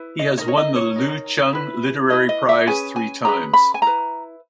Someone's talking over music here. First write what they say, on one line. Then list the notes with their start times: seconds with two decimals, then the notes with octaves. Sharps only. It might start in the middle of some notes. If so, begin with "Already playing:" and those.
He has won the Lu Xun Literary Prize three times.
Already playing: E4 B4
0.19 D#5
0.37 D#4 A#4 C#5
0.48 C#5
0.57 D#5
0.76 C#5
0.96 D#4 A#4
1.53 E4 B4
2.09 E4 B4 D#5
2.29 D#5
2.49 E5
2.67 C#4 G#4 B4 G#5
2.96 G#5
3.24 C#4 G#4 B4 A#5
3.53 B5
3.74 G#5
3.82 E4 B4 A#5